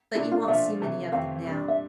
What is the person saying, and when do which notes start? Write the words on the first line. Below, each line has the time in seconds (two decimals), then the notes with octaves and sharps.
But you won't see many of them now.
0.15 A#2 A3 D4 E4 A4
0.31 F4
0.47 A#2 F3 A3 D4 F4 E5
0.80 C3 E3 A3
1.12 F2 E3 A3 C4 G4 F5
1.45 A#2 G3 D4
1.68 E5